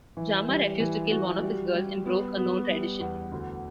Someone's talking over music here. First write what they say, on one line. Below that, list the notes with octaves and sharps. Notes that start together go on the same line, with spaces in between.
Jama refused to kill one of his girls and broke a known tradition.
E3
G3
E3
F#4
G3
G3
B3
B3
G3
E2
D2